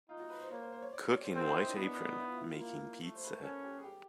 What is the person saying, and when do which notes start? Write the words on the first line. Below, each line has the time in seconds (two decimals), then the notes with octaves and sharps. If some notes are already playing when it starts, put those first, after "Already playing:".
Cook in white apron making pizza.
0.09 D#4 F4
0.19 F#4
0.30 B4
0.40 C5
0.51 A#3 C#5
0.62 C5
0.72 C5
0.82 C#5
0.93 D5
1.03 D5
1.14 C#5
1.24 C5
1.34 C4 A#4
1.43 D#4
1.48 E4
1.62 D#4
1.69 D4
1.76 B3 D#4
1.86 D4
1.97 D4
2.07 D#4
2.18 E4
2.27 F4
2.38 E4
2.49 F4
2.59 A#3
3.01 A3
3.15 C5
3.24 B4
3.33 A#4
3.42 C#4 A4
3.63 G4
3.78 G#4
3.84 G4